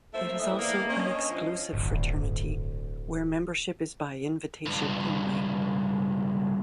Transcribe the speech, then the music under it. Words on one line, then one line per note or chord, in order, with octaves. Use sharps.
It is also an exclusive fraternity where membership is by invitation only.
A3 A#3 C4 E4 C5 E5
E3 D#5 E5
A#3 B3 D5
C#4 D4 C#5 D#5
G2 F3
D1 G1
C#2 G2